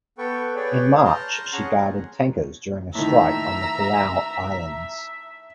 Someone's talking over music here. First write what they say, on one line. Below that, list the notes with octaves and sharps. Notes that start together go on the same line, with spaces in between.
In March she guarded tankers during a strike on the Palau Islands.
B3 A4 B4 G5 C#6
G#4 B4 C#5 D5 G5
A5 A#5 C6 F6 G6
C#4 G#4 F#5 G#5 A#5
A2 D#3 E5 A#5 E6